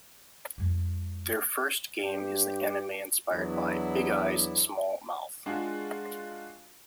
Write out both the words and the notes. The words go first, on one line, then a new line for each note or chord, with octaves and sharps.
Their first game is the anime inspired "Big Eyes, Small Mouth".
F2 G#3
G2 G4
E2 F#3 B3 D4 E4
G#3 D4 F4 F#4 G#4